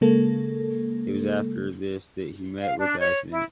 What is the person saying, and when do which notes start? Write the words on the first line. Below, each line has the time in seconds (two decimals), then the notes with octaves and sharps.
It was after this that he met with the accident.
0.01 C#3 G#3 A#3 A4
2.61 F5
2.78 D4
2.99 C#5
3.31 E4